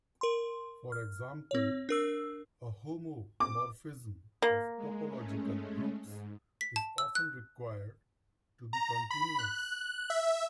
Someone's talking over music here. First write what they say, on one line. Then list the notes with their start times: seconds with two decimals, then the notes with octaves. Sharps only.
For example, a homomorphism of topological groups is often required to be continuous.
0.21 A#4 C6
0.92 F6
1.51 C4 C#5
1.89 D4 A#4 E6
3.40 D6
4.42 A#3
4.77 G#3
5.08 G#3 A3 C#4
6.04 G#2
6.61 B6
6.76 A5
6.98 E6
7.15 F#6
8.73 A#5
9.10 B5
9.39 F#6
10.10 E5